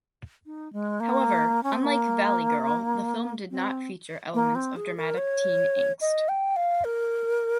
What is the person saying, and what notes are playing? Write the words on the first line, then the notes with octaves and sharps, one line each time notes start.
However, unlike "Valley Girl", the film did not feature elements of dramatic teen angst.
D#4
G#3
A#3
C#4
C4
A#3
C4
A#3
C4
G#4
A#4
C#5
D#5
G5
F5
A#4